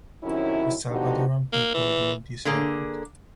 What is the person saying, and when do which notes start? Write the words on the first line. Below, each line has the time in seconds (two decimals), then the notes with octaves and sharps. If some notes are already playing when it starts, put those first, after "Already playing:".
The Salvadoran people do not deserve it.
0.23 F#2 C3 D#3 C#4 E4
0.90 D3 F3 B3 D#4 F#4 G4
1.53 A#3
1.74 E3
2.45 D3 A#3 G#4